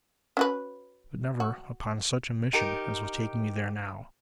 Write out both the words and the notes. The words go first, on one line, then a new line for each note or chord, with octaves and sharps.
But never upon such a mission as was taking me there now.
C#4 F#4 B4
F#4
D#4 G4 A#4